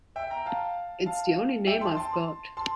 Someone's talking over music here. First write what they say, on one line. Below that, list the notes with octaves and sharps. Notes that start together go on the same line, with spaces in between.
It's the only name I've got.
E5 G5
G5 A#5
F5 A5
F5 A5
E5 G5
A5 C6
A5 C6
A5 C6